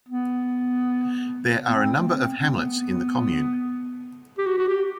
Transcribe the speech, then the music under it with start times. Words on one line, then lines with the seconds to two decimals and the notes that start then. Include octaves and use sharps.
There are a number of hamlets in the commune.
0.09 B3
1.68 B3
1.76 C4
1.98 A3
2.08 B3
2.17 C4
2.38 C4
2.54 A3
2.59 B3
4.38 G4
4.46 F#4
4.58 F#4
4.68 G4